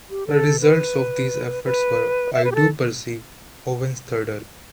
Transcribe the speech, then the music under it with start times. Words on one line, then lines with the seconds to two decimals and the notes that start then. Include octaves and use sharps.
The results of these efforts were "I Do Perceive", Owen's third album.
0.10 G4
0.27 A4
0.61 B4
1.64 B4
2.33 E5
2.44 B4
2.52 G4
2.55 A4